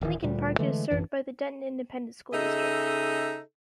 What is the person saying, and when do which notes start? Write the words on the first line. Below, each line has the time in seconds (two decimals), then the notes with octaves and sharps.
Lincoln Park is served by the Denton Independent School District.
0.01 D1 D#3 E3
0.22 D2 A#2 G3
0.59 D3 E3 G#3 A3
0.90 A1 F#2 E3 D4
2.33 C#3 D#4 G#4 A4 D#5 E5